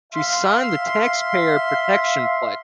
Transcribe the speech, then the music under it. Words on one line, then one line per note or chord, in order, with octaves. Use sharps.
She signed the Taxpayer Protection Pledge.
E5 F5 C6